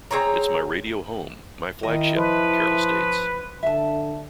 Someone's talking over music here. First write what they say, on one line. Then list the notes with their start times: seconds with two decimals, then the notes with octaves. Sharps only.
It's my radio home, my flagship, Karel states.
0.11 C4 G#4 C#5 A#5
1.83 D#3 E4 D#5
2.16 F3 B4
3.63 D3 E5 A5